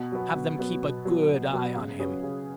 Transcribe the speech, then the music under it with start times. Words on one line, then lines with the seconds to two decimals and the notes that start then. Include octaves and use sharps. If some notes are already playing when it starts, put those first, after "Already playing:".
Have them keep a good eye on him.
Already playing: B2
0.12 F#3 B3
0.35 B2
0.59 F#3 B3
0.82 B2
1.05 F#3 B3
1.28 B2
1.53 F#3 B3
1.76 C#3
1.99 F#3 C#4 G#4 B4
2.23 C#3